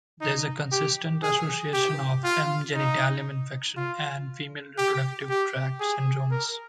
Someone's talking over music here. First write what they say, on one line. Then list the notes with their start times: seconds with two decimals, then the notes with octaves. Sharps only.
There is a consistent association of M. genitalium infection and female reproductive tract syndromes.
0.21 D#4
0.72 G4
1.23 G#4
1.73 G4
2.24 F4
2.75 D#4
3.77 F4
4.78 G4
5.29 G4
5.80 G#4
6.31 A#4